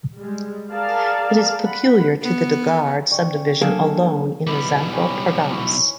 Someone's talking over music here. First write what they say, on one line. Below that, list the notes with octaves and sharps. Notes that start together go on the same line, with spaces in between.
It is peculiar to the Deoghar subdivision alone in the Santhal Parganas.
G3 G#3
G#4 A#4 D5 F5 A5
F#5 B5
B3
D5 G5 C#6
C#4
F#3 A#3 D4 G#4 A4
B1 G3 E4 B4 D#5
C#4 B4 G5
E4 C#5 C#6